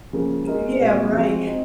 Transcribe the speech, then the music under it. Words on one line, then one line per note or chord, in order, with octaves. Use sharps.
yeah, right.
C#3 F3 A#3 C#4 G#4
G#3 D#4 F#4 A#4
A#2 G#3 C4 D#4 F#4
F3 G#3 C4 F#4
C4 D#4 F#4